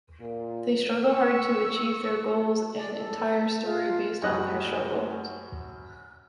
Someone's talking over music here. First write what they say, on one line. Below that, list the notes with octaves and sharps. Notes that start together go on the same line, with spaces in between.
They struggle hard to achieve their goals and entire story based on their struggle.
A#2
C#6 E6
D5
A4
F4
F#2 G3 F#4 D#5 F#6